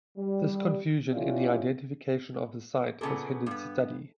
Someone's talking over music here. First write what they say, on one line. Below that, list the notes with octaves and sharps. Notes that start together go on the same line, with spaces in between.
This confusion in the identification of the site has hindered study.
G3
C#4 E4 F4 G4 D5
A#2 C#3 B3 G#4 A4
G2 B3